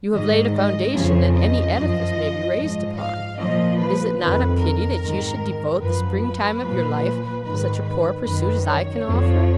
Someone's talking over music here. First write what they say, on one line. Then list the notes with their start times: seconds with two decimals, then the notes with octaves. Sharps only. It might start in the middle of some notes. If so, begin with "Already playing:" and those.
You have laid a foundation that any edifice may be raised upon; and is it not a pity that you should devote the spring-time of your life to such a poor pursuit as I can offer?'
0.13 G#2 D#3 D#5
0.54 D#5
0.94 F2 C#3 F3 C#5
1.35 D#5
1.75 F#2 F3
2.57 G#2 F3
2.97 F5
3.38 A#2 F3 D#5
3.78 B4
4.18 F2 D#3 B4
4.59 A#4
4.99 G#2
5.04 D#3
5.81 F#2 F3 B4
6.21 B4
6.61 A#2 F3
7.43 G#2 D#3 B4
7.83 B4
8.24 F#2 D#3 B4
8.65 C#5
9.05 F2 F3